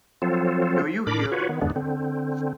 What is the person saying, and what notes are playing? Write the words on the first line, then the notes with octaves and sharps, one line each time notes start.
Do you hear?
F3 F#3 C4 F4 A4
A2 D4 A#4 B5 D6
F4 F#4 B4 C#5
D#3 B3
E2 G2 D3 G#3 B3 D4
D3 C4